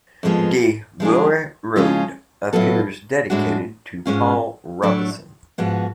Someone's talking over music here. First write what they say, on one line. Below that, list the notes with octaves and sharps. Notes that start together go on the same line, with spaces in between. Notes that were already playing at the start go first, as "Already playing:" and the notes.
"De Glory Road" appears dedicated to Paul Robeson.
F2 F3 G#3 B3 F4
F3 G#3 D4 G#4
C#3 F3 G#3 C#4 F4
A2 F#3 B3 F4 A4
A2 G#3 D4 F#4
G#2 G#3 C#4 F4
A2 F#3 A3 D4
G#2 F3 B3 F#4